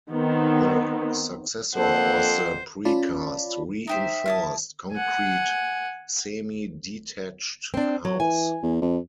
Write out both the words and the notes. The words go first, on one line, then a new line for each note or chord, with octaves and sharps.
The successor was the pre-cast re-inforced concrete semi-detached house.
D#3 B3 C4
F2 A#3 D4 A4 C5 F#5
C#4 F4 D5 A5 B5
D#4 G4 C5 E5
E4 A5 D#6 F6
F#5 G#5
C4 D4
F#3
E3 G#5
E2
F2